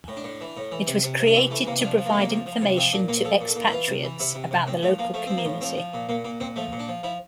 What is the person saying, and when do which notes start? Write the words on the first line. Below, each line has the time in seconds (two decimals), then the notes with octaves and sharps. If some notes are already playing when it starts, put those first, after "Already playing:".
It was created to provide information to expatriates about the local community.
0.08 A2
0.17 D4
0.24 A2
0.41 E3
0.57 A2
0.72 E3
0.87 C3
1.04 C3
1.19 C3
1.27 D4
1.35 E3 C4
1.51 E3 A3
1.67 C3 A#3
1.82 F3 D4
1.98 F3
2.06 A#3
2.13 C3 A3
2.20 A#3
2.30 F3
2.46 F3
2.62 C3
2.77 F3 C4
2.93 A#2 D4
3.08 A#2 A#3
3.25 F3 A4
3.41 A#2
3.48 A4
3.56 A#2
3.67 E4
3.72 E3 F4
3.88 C3
4.04 E3
4.20 C3 E4
4.35 C3
4.51 C3
4.67 A2 C4
4.82 F3 A3
4.98 F3 A#3
5.14 F3 A3
5.26 F3 C4
5.38 A#3
5.45 A2
5.61 F3 C4
5.77 F3
5.94 A#2
6.09 A#2 A#3
6.24 A#2 A#3
6.40 A#2 C4
6.56 F3 A3
6.72 A#2
6.79 D4
6.88 F3
7.03 F3 E4